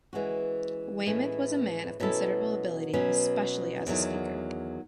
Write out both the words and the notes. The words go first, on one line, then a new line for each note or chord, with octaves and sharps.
Weymouth was a man of considerable ability, especially as a speaker.
E3 G#3 C#4 F#4
A2 E3 G#3 C#4
B2 F#3 C#4 E4 A4
B2 F#3 C#4
E2 D#3 F#3